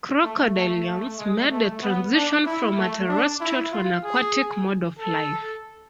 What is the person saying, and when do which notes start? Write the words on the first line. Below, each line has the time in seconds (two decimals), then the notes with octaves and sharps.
Crocodilians made the transition from a terrestrial to an aquatic mode of life.
0.23 A3
0.55 A3
0.87 A3
1.18 G#3
1.50 A3
1.82 B3
2.14 D4
2.46 E4
2.77 A3
3.09 D4
3.41 E4
3.72 F4
4.04 G#4
4.99 A4